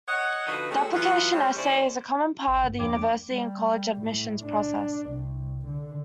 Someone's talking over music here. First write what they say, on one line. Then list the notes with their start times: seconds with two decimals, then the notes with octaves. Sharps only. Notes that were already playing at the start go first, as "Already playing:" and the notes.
The application essay is a common part of the university and college admissions process.
0.08 C#5 D#5 F#5
0.47 D3 F3 D#4 F#4 B4
0.70 A3 C4 C#4 F#4 G#4 A4
0.93 E3 F#3 B3 F4
1.32 G3 G#3 C4 C#4
1.56 D#2 C#4 E4 C5 D5
2.48 G#1
2.64 G2
2.79 E2 F3 A#3 D4 D6
3.32 G3
4.01 A2
4.44 D4
5.10 C2
5.67 D3